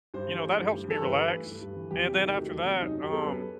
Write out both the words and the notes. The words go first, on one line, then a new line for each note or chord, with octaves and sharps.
you know, that helps me relax, and then after that, um,
G2 C5
E3
A3
G2
G2
E3 A4
G2 B4
E3
A3
G2
G2
E3
E2 G4
C3
G4
D#3
A3 F#4
E2
C3
F#2 D#4
F#3
G4
B3 A4
F#2 B4